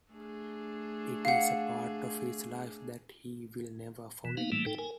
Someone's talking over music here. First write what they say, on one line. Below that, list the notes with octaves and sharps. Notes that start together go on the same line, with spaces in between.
It is a part of his life that he will never forget.
A3 D4 G#4
F5 F#5
B2 E3
A#3 B3 D#4 F5
A2 E3 G3 A3 A#3
D#4 A4 G5
A#4 G#5